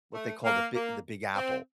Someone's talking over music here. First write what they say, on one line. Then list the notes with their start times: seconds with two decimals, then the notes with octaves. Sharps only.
what they call the Bi the Big Apple.
0.14 A3
0.44 A#3
0.74 A#3
1.35 C4